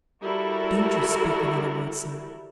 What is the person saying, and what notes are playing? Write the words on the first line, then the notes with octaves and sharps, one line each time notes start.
Don't you speak another word, Sir.'
G3 E4 F#4 A4 A#4